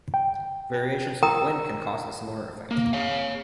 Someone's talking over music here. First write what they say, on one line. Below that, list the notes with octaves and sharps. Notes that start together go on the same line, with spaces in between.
Variations of wind can cause a similar effect.
G5
A#4 G5 A#5 D#6
A#3
C#5 F5